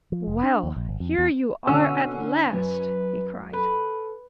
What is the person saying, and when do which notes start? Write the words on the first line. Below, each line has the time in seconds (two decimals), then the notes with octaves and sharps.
"Well, here you are at last!" he cried.
0.12 F3
0.27 F1
0.43 D4
0.63 D#2
0.76 A#1
0.89 G#1
1.00 F2
1.18 E2
1.67 B2 D3 C#4 E6
2.53 F#2 B4
3.53 A4 B4